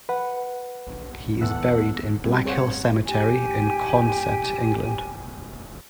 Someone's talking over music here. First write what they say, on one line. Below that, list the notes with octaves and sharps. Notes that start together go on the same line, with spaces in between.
He is buried in Blackhill cemetery in Consett, England.
B4 F#5
E2 A4 E5 F#5
G3 C4
G#4 C5 C#5 F5 F#5
G4 G#5